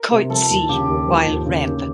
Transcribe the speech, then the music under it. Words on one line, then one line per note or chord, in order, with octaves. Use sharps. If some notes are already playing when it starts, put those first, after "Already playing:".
Coetzee while Rev.
Already playing: A#4
C3
F3 A4
D#2
C#3 G4
D#2
F3
D#2
C#3
D#2